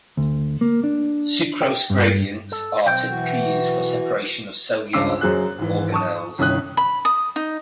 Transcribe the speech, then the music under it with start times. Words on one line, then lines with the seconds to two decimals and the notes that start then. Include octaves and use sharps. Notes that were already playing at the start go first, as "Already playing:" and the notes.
Sucrose gradients are typically used for separation of cellular organelles.
0.17 D2
0.61 A#3
0.84 D4
1.62 G5
1.90 G2
2.52 A4
2.86 B1 C4 G5
3.09 E3 F#4
4.93 C#2 G2 C#4 D6 E6 C7
5.21 F#2 F#3 G#4 C5 F#6
5.59 G#1 E3
5.92 A5 C#6 D#6
6.38 G1 C2 D#3 C#4 D#6 F#6
6.77 B5
7.05 D#6
7.36 D#4